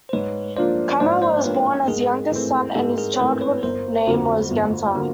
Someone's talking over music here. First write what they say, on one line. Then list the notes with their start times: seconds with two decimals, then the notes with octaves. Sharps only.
Kamo was born as the youngest son and his childhood name was Genta.
0.09 C5
0.13 G#2 B4 C#5
0.57 F3 A#3 D4 F4 C5 D5
1.00 G#2 C5 D5
1.22 C5 D5
1.44 F3 A#3 D4 F4 B4 C#5
1.88 G#2 G#4 A#4
2.32 E3 A3 C4
2.75 G#2 G4 A4
2.98 G#4 A#4
3.14 C#5
3.19 E3 A3 C4 A#4 C5
3.41 B4 C#5
3.63 G1 A#4 C5
4.07 F2 D3 F#3 A#3
4.51 G1
4.95 D3 F#3 A#3